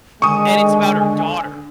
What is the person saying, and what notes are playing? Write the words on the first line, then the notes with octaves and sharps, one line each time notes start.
and it's about her daughter.
D3 D#3 G#3 G#5 C#6 D#6